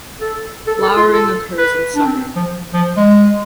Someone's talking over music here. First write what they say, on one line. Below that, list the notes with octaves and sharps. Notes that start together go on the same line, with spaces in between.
Flowering occurs in summer.
A4
A4
A4
F4
A4
B4
D4
C4
F3
F3
G#3